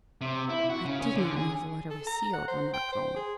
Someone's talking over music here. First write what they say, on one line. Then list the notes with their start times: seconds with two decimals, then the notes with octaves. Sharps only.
"I did not know the letter was sealed," remarked Roland.
0.21 C3
0.49 E4
0.70 F#4
0.85 C#3
1.01 C#4
1.15 D3
1.36 G#4
1.90 A4
2.07 A#5
2.33 F#5
2.48 C5
2.73 G5
2.92 C5
3.16 G#4